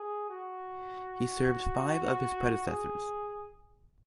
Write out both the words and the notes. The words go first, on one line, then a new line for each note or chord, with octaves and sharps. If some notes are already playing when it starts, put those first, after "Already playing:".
He served five of his predecessors.
Already playing: G#4
F#4
G#4